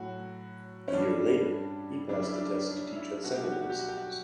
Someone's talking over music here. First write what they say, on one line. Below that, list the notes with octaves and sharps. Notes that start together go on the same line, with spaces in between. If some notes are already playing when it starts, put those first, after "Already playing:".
A year later he passed the test to teach at secondary schools.
Already playing: A2 F#3 F#4
C#4
G2 E3 G3 D4
F#2 C#3 G3 D4
E4
D4
D4
E4
B2 G3 F#4
G4
F#4
G4
F#4
G4
F#4
G4
F#4